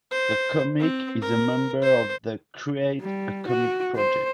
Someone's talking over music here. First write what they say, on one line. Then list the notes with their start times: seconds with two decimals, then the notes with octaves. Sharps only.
The comic is a member of the "Create a Comic Project".
0.12 C5
0.80 C4
1.22 A#4
1.82 C5
3.01 G3
3.47 F#4
3.96 C5